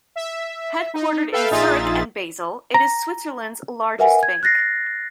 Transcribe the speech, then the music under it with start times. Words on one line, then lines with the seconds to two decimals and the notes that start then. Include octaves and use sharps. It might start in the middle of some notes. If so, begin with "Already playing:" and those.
Headquartered in Zurich and Basel, it is Switzerland's largest bank.
0.16 E5
0.94 D#4
1.32 A4 B4 E5 F5 G5
1.50 A#1 D#4 F4 G#4 E5 A6
2.74 A#5
3.99 A#4 B4 E5 F#5 G#5
4.23 G#6
4.43 F#6 A6 A#6 C7